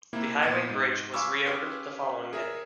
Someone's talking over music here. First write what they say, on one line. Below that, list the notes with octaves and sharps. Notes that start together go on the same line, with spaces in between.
The highway bridge was reopened the following day.
C3 A#3 E4
A#2 B3 G#6
G#2
F5 G#5 B5 C#6 D6 E6
C#4 G4 G#4 B4 F5 C6
G#4 A#4 E5